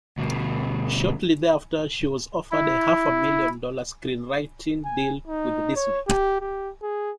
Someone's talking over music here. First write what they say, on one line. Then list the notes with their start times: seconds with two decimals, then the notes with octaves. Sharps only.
Shortly thereafter, she was offered a half-million dollar screenwriting deal with Disney.
0.18 D2 B2
2.51 E4
4.85 G#5
5.27 D#4
5.76 C#5
6.07 G4
6.41 G4
6.82 G#4